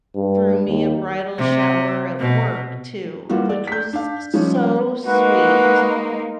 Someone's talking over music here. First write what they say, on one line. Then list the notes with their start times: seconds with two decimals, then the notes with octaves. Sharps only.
threw me a bridal shower at work too, which was so sweet.
0.15 G2
0.67 D#2
1.37 C3
2.19 B2
3.29 E3 G3 A#3 F4 F#4
3.49 D5
3.67 G6 B6
3.93 D4 F5
4.34 F3 G3 G#3 C#4
5.06 G#3 A#3 D#4 F#4 B4